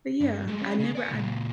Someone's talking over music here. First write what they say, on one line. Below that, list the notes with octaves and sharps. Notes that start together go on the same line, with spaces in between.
But, yeah, I never I
G2
G#3 A3
C#4 E4
C#3
D5 G#5
C#2 A#2